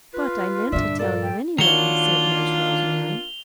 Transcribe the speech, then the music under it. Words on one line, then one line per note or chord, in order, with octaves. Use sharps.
"But I meant to tell you anyway," said Nurse Rosemary.
F4 B4
G2 A#2 D3 D4 E5
F4 A4 A#4 D5
G5
D#3 A#3 D4 F4 F#4 C#5 F7 G7